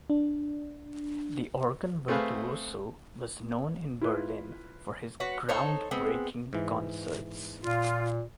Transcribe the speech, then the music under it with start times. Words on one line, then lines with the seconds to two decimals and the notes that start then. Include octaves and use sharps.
The organ virtuoso was known in Berlin for his "groundbreaking" concerts.
0.10 D4
2.08 A3 C4 G#4 B4 F5
4.01 E4 F4 B4
5.20 F#4 B4 C#5
5.49 D#4 A4 C5 C#5
5.91 G#3 B3 C4
6.53 G#2 E3
7.62 A#2 F4